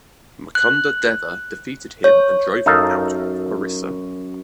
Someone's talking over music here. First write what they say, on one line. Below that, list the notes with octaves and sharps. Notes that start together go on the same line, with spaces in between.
Mukunda Deva defeated him and drove him out of Orissa.
F#6
C#5
F#2 D#4 A4 F5